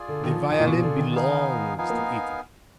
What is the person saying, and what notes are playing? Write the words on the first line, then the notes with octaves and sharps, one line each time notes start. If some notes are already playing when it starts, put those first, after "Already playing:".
The violin belongs to Italy.
Already playing: F4 G#4 D5 G#5
D3
D#3
F3
D#3 F4 G#4 D5 G#5
A#2
B2
D3
D#3
B3 D#4 A#4 F5 G#5
F3 B3 D#4 A#4 F5 G#5
A#3